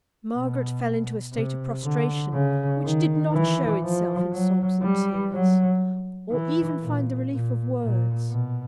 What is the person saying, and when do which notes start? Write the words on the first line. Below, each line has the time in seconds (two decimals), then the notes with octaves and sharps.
Margaret fell into a state of prostration, which did not show itself in sobs and tears, or even find the relief of words.
0.35 B2
1.33 C3
1.83 D3
2.33 C#3
2.84 D#3
3.33 E3
3.83 F3
4.32 F#3
4.83 G3
5.32 F#3
6.31 E3
6.81 A#2
7.31 A#2
7.81 A#2
8.31 B2